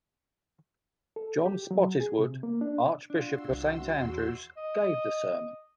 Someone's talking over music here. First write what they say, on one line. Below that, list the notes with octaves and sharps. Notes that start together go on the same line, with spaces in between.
John Spottiswoode, Archbishop of Saint Andrews gave the sermon.
A4
G4
F#3
G#4
C3
A#3
D4
D4 F4 F#4 C6 E6
C2
E2
D#5